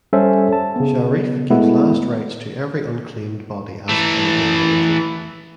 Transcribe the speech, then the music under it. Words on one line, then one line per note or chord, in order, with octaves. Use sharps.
Sharif gives last rites to every unclaimed body as per their religion.
G3 C#4 A4 C5 E5
A5
C#3 B3
G#3 A3 B3 E4
E3 A3